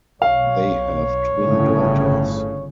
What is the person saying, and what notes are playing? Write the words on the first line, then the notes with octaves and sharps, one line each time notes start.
They have twin daughters.
B1 C#5 F5
G1 A2 C#3